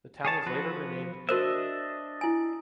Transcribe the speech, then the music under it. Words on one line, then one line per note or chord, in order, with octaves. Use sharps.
The town was later renamed Beeton.
G#4 C#5 A5
F3 F#4 B4
D4 F#4 A#4 C5 D#5 E5
E4 G#5